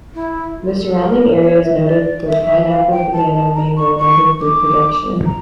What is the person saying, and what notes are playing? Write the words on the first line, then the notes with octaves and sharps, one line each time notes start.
The surrounding area is noted for pineapple, banana, mango, and other fruit production.
E4
F4
A4
A#4
C#5
E5
D5
E5
F5
G5
A5
A5
A#5
C#6
C#6
D6
A#5